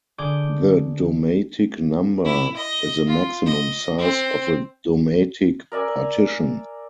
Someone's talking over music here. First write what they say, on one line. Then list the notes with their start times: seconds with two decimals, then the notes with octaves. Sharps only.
The domatic number is the maximum size of a domatic partition.
0.18 D3 G#4 D6 G6
2.25 E4
2.57 D#5
3.08 F4
3.47 D#5
3.98 C4
5.72 A#4 D5 E5 G#5